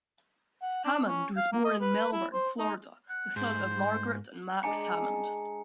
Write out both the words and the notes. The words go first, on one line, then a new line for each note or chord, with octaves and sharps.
Hammond was born in Melbourne, Florida, the son of Margaret and Max Hammond.
F#5
D4
C#4
F5
A#3
D#5
B4
E4
C5
D#4
F#5
G#2 C5
G#3 D4 G#5 A#5 D6 C#7